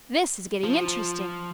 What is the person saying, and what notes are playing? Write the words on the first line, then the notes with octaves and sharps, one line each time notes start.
"This is getting interesting!"
F3